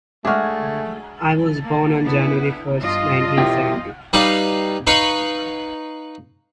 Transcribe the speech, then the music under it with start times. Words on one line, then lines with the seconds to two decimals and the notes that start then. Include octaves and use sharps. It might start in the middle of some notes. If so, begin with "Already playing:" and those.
I was born on January first, nineteen seventy.
0.25 G#3 A3 D4 F#4 G#4 E5 F6
1.65 A#3
2.02 D3 B3 E4
2.80 G2 F4 D#5
3.38 B2 E4 G4
4.13 G3 D#4 B4 D5 F5
4.87 D#4 B4 F5 B5 C#6